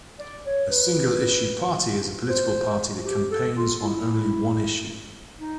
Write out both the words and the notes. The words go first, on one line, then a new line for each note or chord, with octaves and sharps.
A single-issue party is a political party that campaigns on only one issue.
D5
C#5
B4
C5
G4
A4
F4
E4
D#4